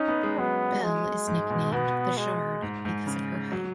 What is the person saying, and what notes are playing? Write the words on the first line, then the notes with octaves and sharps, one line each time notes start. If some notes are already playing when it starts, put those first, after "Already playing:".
Bell is nicknamed "The Shard" because of her height.
Already playing: C#4 D#4
B3
G#3
F#3 B3
G#3
G#2
B2
B2 B3
G#3
G#2
G#2
C#3
F#3